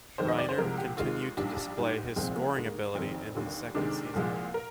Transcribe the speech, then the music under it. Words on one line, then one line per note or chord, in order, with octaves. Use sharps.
Schriner continued to display his scoring ability in his second season.
F2 D#3 G#3 C5
D#5
D5
C5
C2 C3 F3 G#3 A#4
G4
D#2 D#3 G#3 F4
A#1 G#2 G3 D4
G#1 G#2 G3
C2 A#2 F3 G#3 C4
A#3
D#2 D3 G#3
F1 F2 D#3 C4
F1 D#2 D3 G3
D2 C3 D#3 G#3 D4
C2 A#2 F3 G#3
A#4